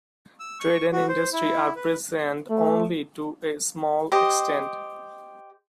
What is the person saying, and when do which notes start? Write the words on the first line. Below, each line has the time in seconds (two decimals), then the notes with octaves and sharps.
Trade and industry are present only to a small extent.
0.40 E6
0.60 C#6
0.93 F#4
1.09 C5
1.33 E4
1.76 B4
2.50 A3
4.12 G4 C5 D#5